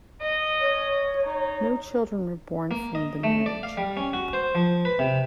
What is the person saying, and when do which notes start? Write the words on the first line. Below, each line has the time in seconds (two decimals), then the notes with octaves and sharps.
No children were born from the marriage.
0.21 D#5
0.60 C#5
1.24 D#4
2.71 A#3
2.95 D#5
3.24 A3
3.46 D5
3.63 F5
3.77 G3
3.97 C#4
4.13 F#4
4.33 C5
4.55 F3
4.85 B4
4.99 C3